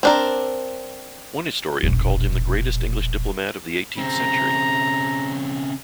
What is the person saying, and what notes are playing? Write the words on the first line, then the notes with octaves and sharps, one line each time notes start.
One historian called him the greatest English diplomat of the eighteenth century.
C4 D4 A#4
E1 A#1
C#3 C4 A#5